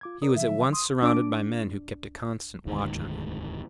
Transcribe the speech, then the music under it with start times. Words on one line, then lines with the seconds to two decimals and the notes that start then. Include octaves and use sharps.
He was at once surrounded by men who kept a constant watch on him.
0.01 F4 D6 G#6
0.22 A#4 D5 D#6
0.36 D3 F3 F#3 E5
0.73 C6 D#6
1.02 D4 D5 D6
2.66 E1 D2 G#2 D#3